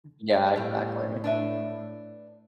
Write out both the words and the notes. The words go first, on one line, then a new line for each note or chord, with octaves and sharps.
Yeah, exactly.
A2 G3 A3 B3
D4 B4 E5